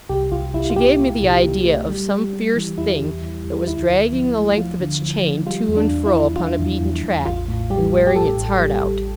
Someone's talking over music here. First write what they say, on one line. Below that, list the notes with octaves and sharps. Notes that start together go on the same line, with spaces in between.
She gave me the idea of some fierce thing, that was dragging the length of its chain to and fro upon a beaten track, and wearing its heart out.
C2 G4
C2 F4
C2 E4
F4
A#2 G4
A#2
C2
A#2
A3
G3
G3
G3
E3
E2 E4
E2
E2
E2
D2 E4
D2
F3
A3
F3 F4
D3
F3
F3
G3 F4
E2
D4
E2
E4
E2
E2 F4
E2
E2
E2
A1 F4
A2
G3 G4
A2
G4
A2 A4
A1
G3
A1